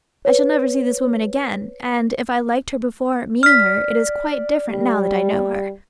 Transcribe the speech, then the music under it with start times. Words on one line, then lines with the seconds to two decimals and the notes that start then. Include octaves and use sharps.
"I shall never see this woman again, and if I liked her before meeting her, it is quite different now that I know her."
0.25 B4 C#5
3.43 D5 F6 B6
4.69 G3